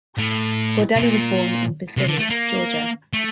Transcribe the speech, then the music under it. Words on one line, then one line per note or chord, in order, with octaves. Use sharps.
Gordeli was born in Tbilisi, Georgia.
A2
C3
A#2
C3
D3
A3
A#3
A3